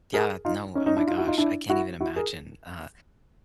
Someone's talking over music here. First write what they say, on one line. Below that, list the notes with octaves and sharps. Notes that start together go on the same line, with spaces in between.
Yeah, no, oh my gosh, I can't even imagine, uh,
G#4 A#4
D#4 F4
C#4 D#4
C#4 D#4
D4 E4
D#4 F4
E4 F#4
D#4 F4
D4 E4
E4 F#4
E4 F#4
G#4 A#4